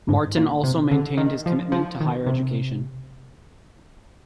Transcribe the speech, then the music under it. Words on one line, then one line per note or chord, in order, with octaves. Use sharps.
Martin also maintained his commitment to higher education.
G#2
A#2
C3
D3
D#3
F3
F3
D#3
C3